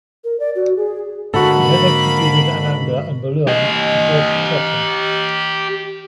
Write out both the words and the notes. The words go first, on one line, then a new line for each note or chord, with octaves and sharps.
He had executed Ananda and Bulughan before succession.
A#4
D5
F#4
G#4
G#2 D3 A#3 F#4 A4 B5
G4 D#5